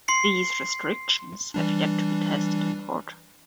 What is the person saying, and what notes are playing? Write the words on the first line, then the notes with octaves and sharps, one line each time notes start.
These restrictions have yet to be tested in court.
C6 C7 C#7
E3 G3 D4